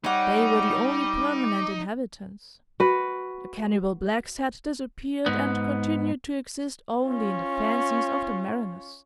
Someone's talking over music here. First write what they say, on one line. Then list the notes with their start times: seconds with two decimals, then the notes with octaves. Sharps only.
They were the only permanent inhabitants; the cannibal blacks had disappeared, and continued to exist only in the fancies of the mariners.
0.04 G3 D#4 C#5 F#5 D6
2.80 F#4 B4
5.26 G#2 B3
7.05 C#4 F4